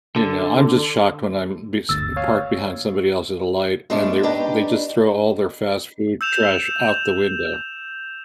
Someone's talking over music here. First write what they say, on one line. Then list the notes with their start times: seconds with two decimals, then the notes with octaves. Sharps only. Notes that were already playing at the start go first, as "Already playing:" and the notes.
You know, I'm just shocked when I'm bes parked behind somebody else's light, and they're they just throw all their fast food trash out the window.
0.16 D3
1.89 G1 D2 E6 A6
2.16 C#5 F5
3.90 G#3 A3 B3 C#4 D4
4.23 D4 D#4 G4 B4
6.21 E6 G6 E7 F7